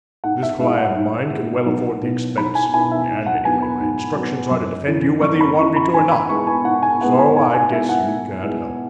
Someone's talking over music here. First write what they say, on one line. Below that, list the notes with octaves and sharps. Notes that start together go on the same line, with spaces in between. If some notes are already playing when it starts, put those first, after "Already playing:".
"This client of mine can well afford the expense, and anyway, my instructions are to defend you whether you want me to or not, so I guess you can't help yourself."
G#2 F#5
E5
G#3 E4 E5
F#5
G#2
G#3 E4
B1
B2 B3 E4
B1 B5
G#5
B2 B3 E4 G#5
E5
G#2
F#5
F#3 B3 G#5
B5
G#2
F#3 B3
F#2
E3 C#4 E4
F#2 C#6
B5
E3 C#4 E4 C#6
B5
G#2 G#5
B5
G#3 B3 E4 C#6
G#5
G#2 F#5
G#5
G#3 B3 E4 F#5
G#5
G#2 G#5
G#5
G#3 B3 E4 E5
F#5
G#2
G#3 B3 E4